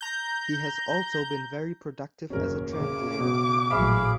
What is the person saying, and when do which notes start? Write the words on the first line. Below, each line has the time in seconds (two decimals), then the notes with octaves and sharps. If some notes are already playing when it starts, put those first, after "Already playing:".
He has also been very productive as a translator.
0.01 A#5 G6
2.30 F#1 D#2 C#4 A#4
2.77 C#3 D6
3.19 B2
3.71 A1 A#2 F#3 G#4 E5 F5 B5